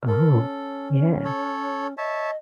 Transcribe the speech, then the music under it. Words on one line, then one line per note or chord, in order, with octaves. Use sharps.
Oh, yeah.
A4 A#4
C#4
A4 C#5
C#5 D#5 E5 A5